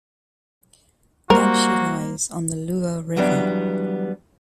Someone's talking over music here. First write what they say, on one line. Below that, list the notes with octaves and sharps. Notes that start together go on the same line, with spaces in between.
Yanshi lies on the Luo River.
G3 A#3 F#4 A#4 C5
E3 F#3 G3 B3 D4